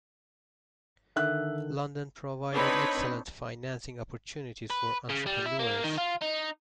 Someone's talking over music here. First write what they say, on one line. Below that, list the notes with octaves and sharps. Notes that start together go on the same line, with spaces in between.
London provided excellent financing opportunities for entrepreneurs.
D3 D#3 E5 F#6
C4 D4 D#4 B4 C#5 B5
B4
C#3
G3
E4
A#3
D#3
F4
D#4